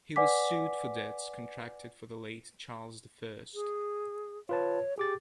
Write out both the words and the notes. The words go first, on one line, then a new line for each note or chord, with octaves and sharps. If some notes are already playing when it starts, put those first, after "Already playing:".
He was sued for debts contracted for the late Charles the First.
B4 D5 F#5 G#5 D6 B6
G#4
F4 B4 C#5 A5
G4 G#4 D6 A6